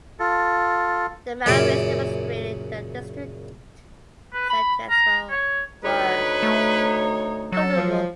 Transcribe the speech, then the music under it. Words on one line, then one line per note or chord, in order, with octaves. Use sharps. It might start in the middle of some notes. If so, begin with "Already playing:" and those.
The Maoists demonstrated that district centres were vulnerable.
F4 A4
F#2 A#2 C#3 E4 D6
B4
B5
A#5
C#5
D2 D#4 B4 C#5
A3
F#3 A4
F3